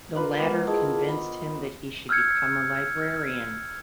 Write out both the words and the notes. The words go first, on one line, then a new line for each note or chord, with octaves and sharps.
The latter convinced him that he should become a librarian.
D4 F4 A#4 B4
G#3 A#3 B3 C5 D#5
E4 G#4 D#5 A5
B5
E6 F6 G6 G#6 C#7